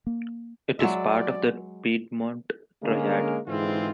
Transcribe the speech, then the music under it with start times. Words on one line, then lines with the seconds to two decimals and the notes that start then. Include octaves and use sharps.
It is part of the Piedmont Triad.
0.07 A#3
0.79 F#3 G#3 D5 E5
2.83 D3 G#3 A#3 C#4 A#4
3.47 G#2 D3 E3 G#3 C4 F4